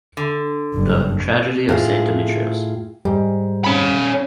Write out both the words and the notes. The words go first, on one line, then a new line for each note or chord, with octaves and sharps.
The "Tragedy of Saint Demetrios".
D3
F#1 G2
A2 F4 G#4
G#2 G3
C#4 B5